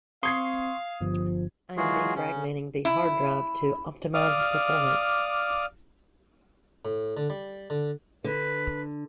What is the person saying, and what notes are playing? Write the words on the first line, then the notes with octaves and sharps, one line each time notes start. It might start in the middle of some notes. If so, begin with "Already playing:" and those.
I am defragmenting the hard drive to optimize performance.
C4 F5 C6 C#6 D#6 G#6 C7
G1 F3
E3 F#3 G#3 F4 F#4 G#4
C#3 C#4
E4
D5 F5 D6 D#6 F6
A2
D3
G3
D3
D3 B4